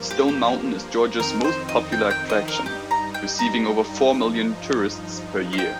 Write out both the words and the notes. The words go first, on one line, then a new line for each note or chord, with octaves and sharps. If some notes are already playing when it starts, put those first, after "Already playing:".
Stone Mountain is Georgia's "most popular attraction"; receiving over four million tourists per year.
Already playing: G2 F3 A#3
G4
G4
F2 D#3 C4 D#4 A#4
C5
D#5
G5
G5
D#5
A#4
G2 G3 D#4 G4
A#5
G5
A#5
G2 F3 D#4
F5
G5